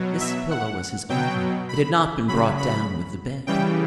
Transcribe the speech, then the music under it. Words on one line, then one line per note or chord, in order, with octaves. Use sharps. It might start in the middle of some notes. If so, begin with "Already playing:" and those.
This pillow was his own; it had not been brought down with the bed.
Already playing: B2 F#3
E5
F#5
B2 F#3 G5
B5
C#3 F#3 B5
B5
C#3 E3 G3 G5